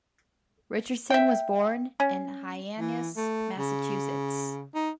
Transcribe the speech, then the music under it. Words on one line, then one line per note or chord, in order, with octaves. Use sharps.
Richardson was born in Hyannis, Massachusetts.
E5 G5
C#4
E3
A3
C#3
D#4